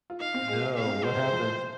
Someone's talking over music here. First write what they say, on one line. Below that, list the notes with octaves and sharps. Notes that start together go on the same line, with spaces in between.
No, what happened?
F4
D#4 F5
C4
G#3
F5
C4
G#3
C5
F3